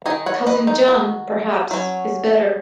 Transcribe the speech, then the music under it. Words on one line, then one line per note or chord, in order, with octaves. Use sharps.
Cousin John, perhaps, is better.
D#3 F#3 D#4 D#5 G#5
C#5 F#5
B4 D#5
D#4
F#4
F#3 C#4